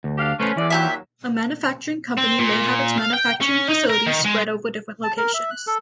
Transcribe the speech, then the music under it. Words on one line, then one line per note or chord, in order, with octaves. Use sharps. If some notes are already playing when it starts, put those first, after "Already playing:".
A manufacturing company may have its manufacturing facilities spread over different locations.
D2
D4 G4 F5
A3 C#4 B4 C5
E2 A2 E3 D5
D#2 A#2 F#3 G4 G#4 E5
C4
A#2
F5
G5
C#4
D#4
A#4
D#3
G#3
A5
A#4
E5
F#6
A4